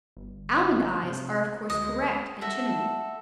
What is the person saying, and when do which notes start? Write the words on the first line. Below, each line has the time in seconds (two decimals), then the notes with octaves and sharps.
Almond eyes are of course correct in Chinamen.
0.17 G1
1.03 C3
1.70 D2 G#3 D#5
2.41 F#4 A4 E5